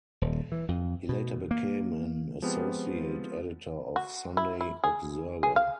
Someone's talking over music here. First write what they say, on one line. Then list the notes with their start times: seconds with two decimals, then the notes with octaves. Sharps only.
He later became an associate editor of "Sunday Observer".
0.22 D#1
0.52 E3
0.68 F2
1.09 B2
1.51 A#3
2.42 F3 G#3 B3 C4 F4 G4
3.96 F#4
4.37 E4
4.61 E4
4.84 G#4
5.43 G#4
5.56 F5